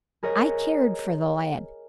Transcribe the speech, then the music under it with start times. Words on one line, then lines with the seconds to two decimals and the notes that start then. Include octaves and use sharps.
I cared for the lad.
0.23 G#4 A#4 C#5 D#5